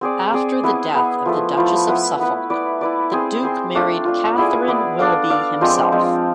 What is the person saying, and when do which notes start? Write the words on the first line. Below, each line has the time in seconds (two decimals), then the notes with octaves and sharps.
After the death of the Duchess of Suffolk, the Duke married Catherine Willoughby himself.
0.01 C4 G#4 D5
0.32 C4 G#4 D5
0.63 B3 E4 G#4 B4
0.95 B3 E4 G#4 B4
1.26 F3 A3 E4
1.57 F3 A3 E4
1.88 B3 E4 B4
2.19 B3 E4 B4
2.50 E4 B4 D5
2.81 E4 B4 D5
3.12 C4 G#4 C5
3.43 C4 G#4 C5
3.75 A3 D4 F4
4.05 A3 D4 F4
4.37 B3 E4 G#4 D5
4.68 B3 E4 G#4 D5
4.99 D4 A4 D5 F5
5.30 D4 A4 D5 F5
5.61 F3 G#3 C4
5.92 F3 G#3 C4